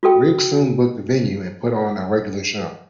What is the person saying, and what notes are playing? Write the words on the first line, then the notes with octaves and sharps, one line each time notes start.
Riggs soon booked a venue and put on a regular show.
F4 F#4 A4 G5